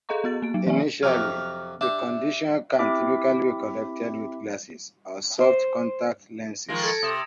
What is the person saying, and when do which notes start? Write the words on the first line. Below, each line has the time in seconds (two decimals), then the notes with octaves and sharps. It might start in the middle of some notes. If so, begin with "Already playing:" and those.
Initially the condition can typically be corrected with glasses or soft contact lenses.
0.09 G#4 A4 D#5 F5 A#5 C#6
0.24 B3 F#4 A6
0.42 A#3 D7
0.54 F#3
0.66 E3 A#3 D5 E5 G#5
1.03 F2 C3 F#3 F6
1.81 D4 G4 E5
2.79 C4 E4 G4 E5 D6
5.40 C5
6.69 D#3 F3 G#3 A#6 D7
6.83 A4 G#6 A6 C#7
7.03 C3 D#6 E7